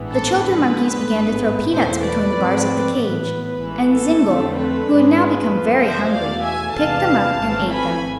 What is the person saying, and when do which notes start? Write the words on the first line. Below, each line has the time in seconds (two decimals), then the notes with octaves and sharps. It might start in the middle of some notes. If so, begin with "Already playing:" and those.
The children-monkeys began to throw peanuts between the bars of the cage, and Zingle, who had now become very hungry, picked them up and ate them.
Already playing: A1 G#2 E3 B3 D4
0.13 A4
0.45 F2 D3 G#3 B4
1.08 A1 G#2 G#3 B3 D4
1.71 E2 B2 A3 A4 C5
2.02 B4 D5
2.34 G#2 F3 A3 C4
2.97 A2 E3 B3 B4
3.60 A1 G#2 E3 A3
3.91 A4
4.24 F2 D3 A3 C4
4.55 B4
4.86 G#2 G#3 D4
5.18 B4
5.50 F2 C3 F3
5.81 C5 E5
6.13 E2 B2 A3 D5 F5
6.44 E5 G#5
6.76 E2 C3 E3 G#3 D4 F5 A5
7.39 G#1 G#2 E3 A3 C4
7.70 G#5 B5